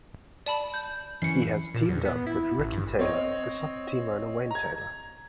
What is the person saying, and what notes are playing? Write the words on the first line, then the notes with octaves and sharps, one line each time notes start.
He has teamed up with Ricky Taylor, the son of team owner Wayne Taylor.
D5 A5 B5
G6
E3 C#4 C7 C#7
A#2
E2
B3
E4
A1
G2
C4 C#5 D#5
A#5 G#6